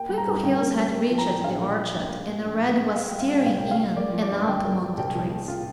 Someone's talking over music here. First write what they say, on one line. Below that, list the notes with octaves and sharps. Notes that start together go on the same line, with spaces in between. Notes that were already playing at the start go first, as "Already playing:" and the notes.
Twinkleheels had reached the orchard and already was tearing in and out among the trees.
Already playing: A#3 G5
G3
A#5
G2
G1 G5
A#3
G3
A#3
F3
A#5
A#2 G5
A#1 F5
A#3
F3
A#1 G5
A#3
A#2
A#1
A#1
A#3
A#3 F5
G3 G5
F5
A#2 G5
C2 F5
A#3 G5
F5
G3
A#3 D5
F3
D5
G2
G1 G5
A#3
F3
C2 G5
F3
A#2
F4